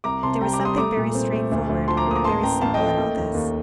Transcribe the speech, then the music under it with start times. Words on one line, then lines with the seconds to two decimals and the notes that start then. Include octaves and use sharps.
There was something very straightforward, very simple, in all this.
0.04 C2 A#5 D6
0.23 C3 A5 C6
0.41 G3 G5 A#5
0.53 A#5 D6
0.59 G3
0.65 C6 D#6
0.77 A3 A#5 D6
0.97 A#2
1.15 C4
1.32 A3
1.52 D2
1.69 D2
1.88 F3 A5 C6
1.97 A#5 D6
2.07 A#3 D#6
2.15 A#5 D6
2.24 A1 A5 C6
2.43 A1 G5 A#5
2.61 A1 F5 A5
2.74 D#5 G5
2.80 A3
2.86 D#5 G5
2.98 A#3
3.17 D#2
3.35 D#2